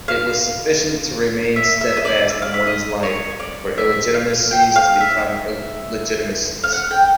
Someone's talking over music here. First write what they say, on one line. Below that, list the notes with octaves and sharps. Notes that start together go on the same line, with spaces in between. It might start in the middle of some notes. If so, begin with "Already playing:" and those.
It was sufficient to remain steadfast in one's life for illegitimacies to become legitimacies.
F5
E5
E5
D#5
D5
E5
F5
E5
D#5
C#5
D5
E5
F5
G5
F5
E5
F5
F#5
G5